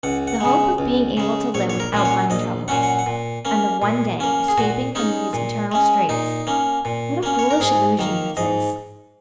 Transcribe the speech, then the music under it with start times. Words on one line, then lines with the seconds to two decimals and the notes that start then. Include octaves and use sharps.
The hope of being able to live without money troubles, and of one day escaping from these eternal straits--what a foolish illusion this is!
0.03 C#2 F#5
0.27 F#5
0.41 C#3 G#3
0.78 C#2
1.17 C#3 G#3
1.54 A#1 C#5
1.70 C#5
1.80 A#4
1.93 A#2 F#3 C#4
2.05 C#5
2.30 A#1 D#5
2.68 A#2 F#3 C#4 F#5
2.83 F#5
2.99 F#5
3.06 A#2
3.45 A#3 C#4
3.82 A#2
4.20 A#3 C#4
4.48 G#4
4.58 A#2 F#4
4.95 G#3 C#4 D#4
5.33 A#2
5.72 G#3 C#4
6.09 A#2 D#4
6.47 A#3 C#4
6.85 A#2
7.23 A#3 C#4
7.39 C#5
7.50 A#4
7.60 G#2 G#4
7.99 D#3 A#3
8.37 G#2 D#5